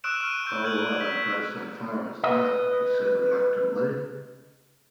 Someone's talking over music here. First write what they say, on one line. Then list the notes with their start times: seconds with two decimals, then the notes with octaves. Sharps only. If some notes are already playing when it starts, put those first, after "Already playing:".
"Oh, I don't go so far as that," he said reluctantly.
0.04 C#6 D#6 E6 F#6 D7 E7
0.21 C#6 F6 D#7
0.46 C#6 E6 G6
0.63 F6 G#6 D7 F#7
0.87 G6
1.01 B6
2.24 B4 D#5